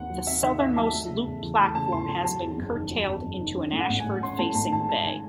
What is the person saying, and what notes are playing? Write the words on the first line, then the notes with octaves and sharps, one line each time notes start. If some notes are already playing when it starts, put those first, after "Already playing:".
The southernmost loop platform has been curtailed into an Ashford facing bay.
Already playing: D#2 D#3 C4 F#5
F#3
C4 E5
D#3 E5
D#2 E5
F#3 A5
A3
C#3
E2
E3
A3 A5
C#3 A5
E2 C6
E3 A5
F#3 A5
E2
F#1
D#3
F#3
E2
F#1
D#3
C#4
A2
F#5
A1
G#5
G#3
C#4 C6
A2 A5
A1 A5
G#3 A5
G#2 A5
D#3 G#5